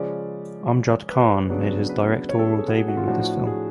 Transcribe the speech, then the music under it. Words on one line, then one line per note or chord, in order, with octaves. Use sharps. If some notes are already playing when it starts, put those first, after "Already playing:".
Amjad Khan made his directorial debut with this film.
Already playing: C#3 F3 G#3 C#4 D5
B4
C#3 F#3 B3 D4
B4
C#5
A4
G#4
G#4
F#4
G#4
F#4
F4
A2 F3 A3 D4 F#4
G#4